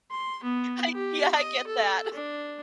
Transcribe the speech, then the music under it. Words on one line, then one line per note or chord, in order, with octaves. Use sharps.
I yeah, I get that.
C6
B3
G4
D#5
A4
D4